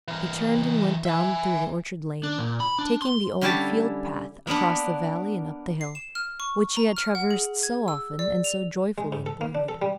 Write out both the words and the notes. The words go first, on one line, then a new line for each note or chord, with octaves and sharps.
He turned and went down through the orchard lane, taking the old field-path across the valley and up the hill, which he had traversed so often and so joyfully in boyhood.
E3 A#4
E5 G#5
D4
A#2
B5
D4
C6
D3 G3 C#4 E4 G4 A5
A#3 B3 D4 B4
C7
E7
F6
C#6
A#5
F6
F#5
G#4
G#6
E6
D5
F7
G#3
G#2
A4
A#3
D4
A4
G3